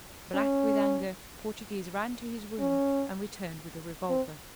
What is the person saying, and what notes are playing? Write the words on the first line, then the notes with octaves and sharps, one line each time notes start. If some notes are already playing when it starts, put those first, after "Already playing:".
Black with anger, Portoghese ran to his room and returned with a revolver.
C#4
C#4
C4